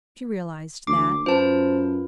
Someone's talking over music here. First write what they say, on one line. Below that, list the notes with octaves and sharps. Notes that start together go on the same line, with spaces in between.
She realized that.
D2 D6 C7
F#2 F4 B4 C5 A5